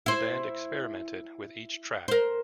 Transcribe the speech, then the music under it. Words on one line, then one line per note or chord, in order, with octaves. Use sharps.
The band experimented with each track.
E4 C5
A#4 C5